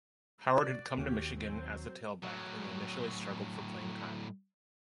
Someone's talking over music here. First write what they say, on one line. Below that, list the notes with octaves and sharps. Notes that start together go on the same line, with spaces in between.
Howard had come to Michigan as a tailback and initially struggled for playing time.
F#4 D5
D#2 C#4 F#4 G4
F#3 C4 C5
A2 F#3